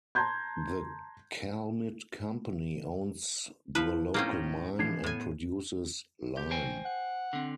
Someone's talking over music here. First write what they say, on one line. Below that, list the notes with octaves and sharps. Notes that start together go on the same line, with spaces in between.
The Calmit company owns the local mine and produces lime.
A5 A#5 C6 G6 G#6
F3 E4 B4
A2 A#3 C4 C#4
E3 F3 D4 G#6 C7
A2 B3 G#5
G4
C5 G5 G#5
F#5
D3 C4